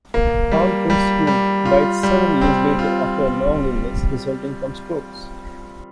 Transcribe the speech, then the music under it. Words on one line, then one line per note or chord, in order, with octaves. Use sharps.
Crown Prince Eun died seven years later after a long illness resulting from strokes.
A#3
G3
G3
G3
F4
G3
C4
F4